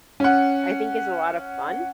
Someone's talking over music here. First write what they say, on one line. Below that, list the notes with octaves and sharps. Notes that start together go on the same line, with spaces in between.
I think it's a lotta fun
C#4 F#5